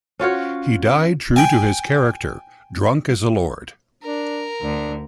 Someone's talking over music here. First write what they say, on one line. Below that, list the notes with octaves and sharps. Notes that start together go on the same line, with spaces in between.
He died true to his character: drunk as a lord.
C#4 F4 F#4 C#5
G5 G#5
D4 A#4
D2 D4